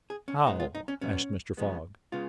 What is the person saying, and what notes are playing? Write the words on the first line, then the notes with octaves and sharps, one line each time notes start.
"How?" asked Mr. Fogg.
G#4
C#4
A#2 G#3 B3 D#4
F4
D#4
C#4
A#2 F#3 B3 C#4
C#3 F3 G#3 B3
C#3 G#3 B3 F4